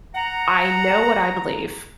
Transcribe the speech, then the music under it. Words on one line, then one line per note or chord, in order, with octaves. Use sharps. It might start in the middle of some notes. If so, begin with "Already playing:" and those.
I know what I believe.
F#5 A#5